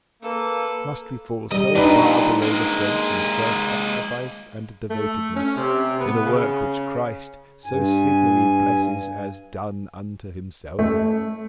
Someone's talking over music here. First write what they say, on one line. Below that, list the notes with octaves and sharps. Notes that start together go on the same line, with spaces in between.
Must we fall so far below the French in self-sacrifice and devotedness, in a work which Christ so signally blesses as done unto Himself?
A#3 A4 B4
G3 D#5
G2 A#2 D4 D#4 B4
G#3 A#3
A3
C#4
C3
B3
C#3
G2 G#5
A3